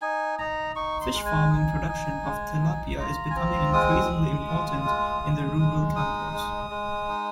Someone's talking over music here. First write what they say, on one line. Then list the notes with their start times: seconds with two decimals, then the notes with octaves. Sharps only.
Fishfarming production of Tilapia is becoming increasingly important in the rural campos.
0.02 D#4 G#5
0.39 D#4 A#5
0.76 D#4 C#6
1.01 C6
1.14 G#3
1.25 G#5
1.50 D#4
1.88 D#4
2.24 G#3
2.61 D#4
2.99 F4 A#5
3.30 G#5
3.36 C4 A#5
3.73 G#3 D#6
4.11 G#3
4.48 F4
4.85 G#3
5.22 G#3
5.59 G#3
5.96 D#4 D#6
6.33 G#3
6.70 G#3
7.08 D#4